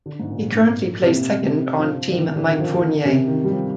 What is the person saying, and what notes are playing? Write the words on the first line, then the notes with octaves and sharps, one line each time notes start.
He currently plays second on Team Mike Fournier.
D3
G#2
A#2
G#2
C3
A#2
C3
F3
D3
D#3
D3
D#3
F3
F3
D#3
C3
D#3
G3
F3